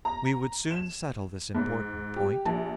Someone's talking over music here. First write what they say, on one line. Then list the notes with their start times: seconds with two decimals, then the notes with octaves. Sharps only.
We would soon settle this important point.
0.05 A#5
0.71 E7
1.55 G#2
2.16 G4
2.45 A#1